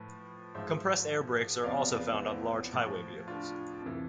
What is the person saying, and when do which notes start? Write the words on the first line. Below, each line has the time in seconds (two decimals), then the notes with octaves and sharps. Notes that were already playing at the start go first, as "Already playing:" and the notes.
Compressed air brakes are also found on large highway vehicles.
Already playing: A2 F3 B4
0.54 G#2 F3 C5 E5
1.64 E2 C3 F3 D5 F5
1.91 B4 D5
2.18 C4 E4
2.73 A2 F3
3.27 D4 F4
3.82 F2 C3 E3